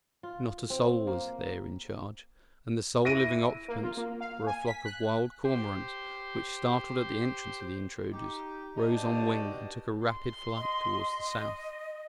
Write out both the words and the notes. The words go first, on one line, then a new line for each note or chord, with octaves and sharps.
Not a soul was there in charge, and the sole living occupants were a flock of wild cormorants which, startled at the entrance of the intruders, rose on wing, and took a rapid flight towards the south.
F4
C4
A#3
E4 A#6 D7 D#7
A#3
F4
A#3
F5
G#5
B6
F#6
G4 C5
D#4 G4
B2 D4 D#4 G4 A5
C6
D#5
D#5